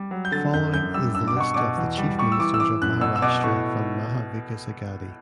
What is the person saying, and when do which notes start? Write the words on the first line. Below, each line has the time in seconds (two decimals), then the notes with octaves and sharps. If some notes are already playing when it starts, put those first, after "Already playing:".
Following is the list of the Chief Ministers of Maharashtra from Maha Vikas Aghadi.
Already playing: G3
0.11 F#3
0.25 G6
0.32 D3 A6
0.54 F#2 G6
0.74 F#2 G6
0.94 G3 E6
1.15 G2 E6
1.28 D6
1.37 B2 C#6
1.54 B2 D6
1.77 E2
1.98 G3
2.18 G3 C#6
2.32 E6
2.39 E3 D6
2.54 E6
2.60 E3 D6
2.82 F#2 F#6
3.01 B2 E6
3.16 E6
3.22 B2 D6
3.44 A2 C#6